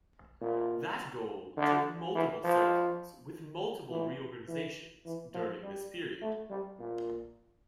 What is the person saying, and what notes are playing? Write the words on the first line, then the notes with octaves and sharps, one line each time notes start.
That goal took multiple Sultans with multiple reorganizations during this period.
A#2
D3
E3
F3
E3
E3
E3
F3
G3
A3
G3
A#2